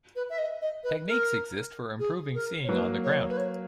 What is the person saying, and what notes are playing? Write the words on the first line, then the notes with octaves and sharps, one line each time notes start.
Techniques exist for improving seeing on the ground.
B4
E5
D#5
D#5
B4
A#4
G#4
A#4
C#5
F#3 A#3 B4
C#5
B4
C#5